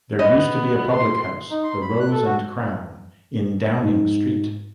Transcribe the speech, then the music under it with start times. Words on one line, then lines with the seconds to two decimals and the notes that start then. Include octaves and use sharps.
There used to be a public house, the Rose and Crown, in Downing Street.
0.19 B3 D#5
0.92 C6
1.50 D#4
1.64 C6
1.81 B5
2.00 F#6
2.12 A4
2.25 F#4
3.82 G#2